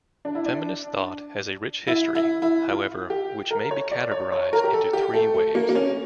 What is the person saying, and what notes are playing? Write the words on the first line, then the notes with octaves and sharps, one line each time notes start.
Feminist thought has a rich history, however, which may be categorized into three 'waves'.
D4
E4
D4
E4
E4
E4
F4
G4
A#4
C#5
D5
C#5
C#5
A#4
G4
A4
G4
A3
A3
A#3
A#3
C#4